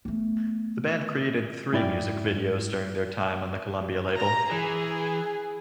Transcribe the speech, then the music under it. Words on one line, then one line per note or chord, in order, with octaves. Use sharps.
The band created three music videos during their time on the Columbia label.
A3 B3
G#2 E4 D5 G5
A#5
E3 G#4